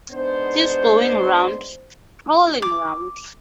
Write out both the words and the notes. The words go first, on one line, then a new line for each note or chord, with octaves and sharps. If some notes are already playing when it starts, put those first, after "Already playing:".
He's going round — prowling round.
G#2 B3 D4 C5
D6